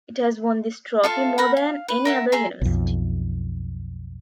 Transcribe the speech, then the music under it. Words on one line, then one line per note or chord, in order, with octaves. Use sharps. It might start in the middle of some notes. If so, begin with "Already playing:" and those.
It has won this trophy more than any other university.
F4 A4 E5 F5
A#4 F#5 B5
F5
B4
A#4 E5 F#5
G#4 E5 A#5 C6
B1 F2